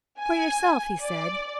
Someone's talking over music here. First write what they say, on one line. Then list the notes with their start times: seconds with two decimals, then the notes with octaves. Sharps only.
'For yourself,' he said.
0.19 G#5
1.03 D5